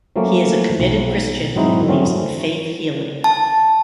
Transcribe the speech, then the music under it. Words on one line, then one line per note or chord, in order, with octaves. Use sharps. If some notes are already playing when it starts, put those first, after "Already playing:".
He is a committed Christian who believes in faith healing.
F3 F#3 A3 A#3 C#4
B1
G#2 F#3 C4 D#4 E4
D3 F#3 A3 C4 C#4
A5